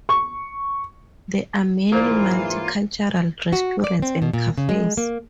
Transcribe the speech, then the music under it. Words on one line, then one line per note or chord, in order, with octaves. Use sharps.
There are many multicultural restaurants and cafes.
C#6
G#2 E3 A#3 F4 A#4 C5 D5
F#4
D5
C4
B2
A#2
C#3
G#3
A#3